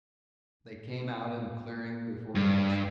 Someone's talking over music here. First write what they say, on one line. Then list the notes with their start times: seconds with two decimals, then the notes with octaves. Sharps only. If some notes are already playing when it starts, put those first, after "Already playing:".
They came out in a clearing, before dusk.
2.35 G2